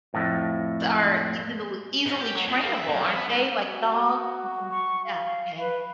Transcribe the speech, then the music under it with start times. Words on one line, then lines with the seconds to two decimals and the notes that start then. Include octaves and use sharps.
T are easy to loo easily trainable, aren't they? Like dog? People Yeah. Okay.
0.14 F2 A2
2.06 G#2
2.20 G4
2.35 F#3
2.48 F2
2.61 A#3
2.75 E5
2.87 F#2
3.03 F3
3.16 B3
3.30 G#2
3.68 F#4
4.71 C#6
5.05 F5
5.60 B4